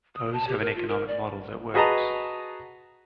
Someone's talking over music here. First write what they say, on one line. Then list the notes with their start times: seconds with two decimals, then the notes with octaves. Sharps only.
Those have an economic model that works.
0.15 D#6
0.33 A5
0.47 G4
0.60 A#4
0.76 F4
0.89 A#4
1.08 D5
1.74 F#4 G#4 B4 D#5 A5 A#5